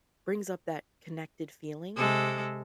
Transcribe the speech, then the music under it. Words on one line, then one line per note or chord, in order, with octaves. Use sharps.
brings up that connected feeling,
C3 G#3 A4